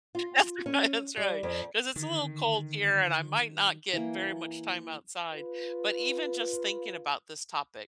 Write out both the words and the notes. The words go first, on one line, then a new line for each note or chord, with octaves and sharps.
That's right, that's right. ‘Cause it's a little cold here and I might not get very much time outside. But even just thinking about this topic,
F4
C#4
G3
F2
D3 D#3
E3 A#3
F4 B4